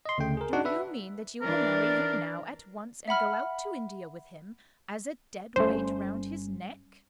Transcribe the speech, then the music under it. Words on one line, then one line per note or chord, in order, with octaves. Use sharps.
"Do you mean that you will marry him now, at once, and go out to India with him, as a dead weight round his neck?"
D#5 C6
D2 C#3 A3 G5
G#4 A#4
D4 D#4 F#4 F#5
B4 E5
E3 D4 A#4
E5 F#5 B5 F6
G1 G3 A3 C#4 C5